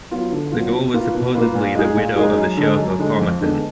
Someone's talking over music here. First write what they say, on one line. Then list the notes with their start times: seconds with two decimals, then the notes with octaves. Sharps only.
The girl was supposedly the widow of the sheriff of Carmarthen.
0.11 F#3 B3 F4
0.32 D3
0.52 F#3 B3 F4
0.72 B2
0.94 A#3 F4 B4
1.14 B2
1.35 A#3 F4 B4
1.55 A#2
1.75 G#3 D#4 G#4
1.96 A#2
2.16 G#3 D#4 G#4
2.37 F#2
2.57 D3 G#3
2.79 F#2
2.99 D3 G#3
3.19 F2
3.41 D3 G#3 B3 D4